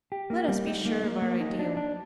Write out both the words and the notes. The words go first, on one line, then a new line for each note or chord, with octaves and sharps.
Let us be sure of our ideal.
G4
A#3
G3
D#4
A#3
A#3
A#3
D#4
D4
D4